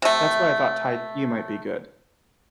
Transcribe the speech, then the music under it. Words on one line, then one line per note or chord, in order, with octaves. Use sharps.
That's why I thought Tai Chi might be good.
C3 A3